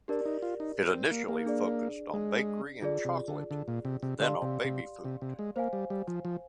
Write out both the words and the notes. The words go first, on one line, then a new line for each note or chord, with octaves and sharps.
It initially focussed on bakery and chocolate, then on baby food.
D4 G4 A#4 D5
D#4
F4
D#4
C4
A#3
A#3
D4 G#4 D5
G#3
D3 F4 G#4 D5
C3
D3
D3
A#2
C3
C3
D3 G4 D5 F5 C6
C3
C3
C3
C3
G#3
A#3 C5 F5 G#5
G3
G3
F3
F3